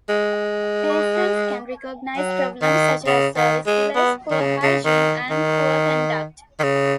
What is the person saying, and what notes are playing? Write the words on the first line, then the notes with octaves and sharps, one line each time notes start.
Patients can recognize problems such as service delays, poor hygiene, and poor conduct.
G#3
F#3
D#3
C#3
D#3
G#3
B3
D#3
C#3
C#3
D#3
D#3
D#3
C#3